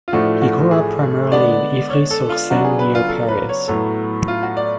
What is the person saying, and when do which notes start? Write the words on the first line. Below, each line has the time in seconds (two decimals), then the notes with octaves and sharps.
He grew up primarily in Ivry-sur-Seine near Paris.
0.08 F4
0.12 A2 F3 A3 D4 F#4
0.42 F#4
0.71 G#4
1.32 D3 G#3 B3 D4 D5
1.90 C#5
2.11 A4
2.29 F4
2.50 C#3 F#3 B3 D4 F#4
2.65 G#4
2.79 B4
2.95 F4
3.09 A4
3.28 B4
3.49 C#5
3.68 A2 F#3 B3 A4
4.28 F4
4.43 F#4
4.57 D5